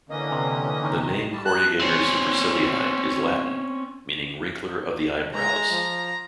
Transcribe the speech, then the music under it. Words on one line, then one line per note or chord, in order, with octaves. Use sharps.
The name "corrugator supercilii" is Latin, meaning "wrinkler of the eyebrows".
D3 E3 A#3 C#4 D#5
C3
C3 D#3
G3 A5
F#6
C4 C#4
G#3 A#5
F3